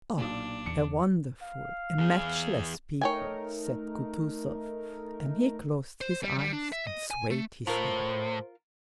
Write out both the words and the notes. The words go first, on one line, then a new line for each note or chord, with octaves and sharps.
"Ah... a wonderful, a matchless people!" said Kutuzov; and he closed his eyes and swayed his head.
B1 A#2 D4
E2 C#7
F5
E2 G#4
A3 D#4 A#4 C#5 G5 G#5
C5
G3
G3
D4
E5
D#5
G#5
A3
A2 F4 A#4 C5